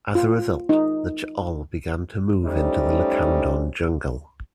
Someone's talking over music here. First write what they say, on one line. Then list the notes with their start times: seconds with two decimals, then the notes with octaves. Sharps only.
As a result, the Ch'ol began to move into the Lacandon Jungle.
0.15 F4
0.69 D#4
2.45 G3 A3 C#4 D#4 C5